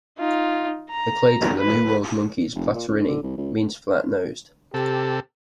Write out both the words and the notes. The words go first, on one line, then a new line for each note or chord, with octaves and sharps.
The clade for the New World monkeys, Platyrrhini, means "flat nosed".
D#4 F4
A#5
B4
F1
A#2
C#2
D3
C2
C#2
C3 G4 A4